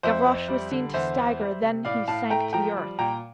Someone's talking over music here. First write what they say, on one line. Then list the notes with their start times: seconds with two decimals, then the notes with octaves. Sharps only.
Gavroche was seen to stagger, then he sank to the earth.
0.03 F2 C5 E5
0.26 F2
0.48 G3
0.72 D3
0.94 E2 C5 E5
1.17 E2
1.40 G3
1.62 C3
1.85 A2 D5 F5
2.07 A2 F5 A5
2.30 A3 G5 A#5
2.53 F3 G5 A#5
2.77 G3
2.99 A#2 G5 A#5